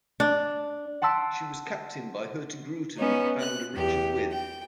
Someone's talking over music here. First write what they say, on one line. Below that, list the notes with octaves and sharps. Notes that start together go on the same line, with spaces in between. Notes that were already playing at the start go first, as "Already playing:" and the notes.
She was captained by Hurtigruten founder Richard With.
D4
F#5 A5 C6 E6 B6 D7
B3 C#4 D#4
F#6
E2 G4
G5